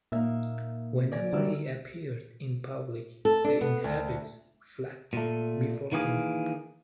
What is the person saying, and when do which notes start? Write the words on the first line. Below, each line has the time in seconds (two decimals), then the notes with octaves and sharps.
Whenever he appeared in public, the inhabits fled before him.
0.12 A#2 A#3 D#4 E5
1.12 D5 G#5 D6
1.33 F#2 D3 G3 E6
3.25 A4
3.44 D4
3.61 B3
3.84 D2
5.13 A#2 A3
5.92 D#3 E3 A#3 G#4